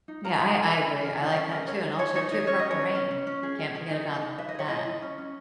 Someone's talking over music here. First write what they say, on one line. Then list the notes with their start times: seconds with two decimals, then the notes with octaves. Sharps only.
Yeah, I I agree. I like that too, and also too, Purple Rain, can't forget about that.
0.08 D#4
0.24 A#4 A#5
0.40 D#4
0.56 A#4 G#5
0.72 A#4
0.88 A#4
1.04 A#4
1.20 E4 F#5
1.36 C#4 E5
1.52 A#4 D#5
1.67 C#4 C#5
1.83 D#4
1.99 D#4 C#5
2.15 D#4 C#5
2.31 D#4 D#5
2.47 C#4 C#5
2.59 C#4 D#5
2.71 C#5
2.79 B4
2.95 C#4
3.11 C#4
3.27 C#4
3.43 G#4
3.59 G#4
3.75 G#4
3.91 D#4
4.06 D#4
4.22 D#4
4.38 B4 E5
4.49 D#5
4.55 G#4 C#5
4.68 E4 D#5
4.86 E4
5.02 C#4
5.18 C#4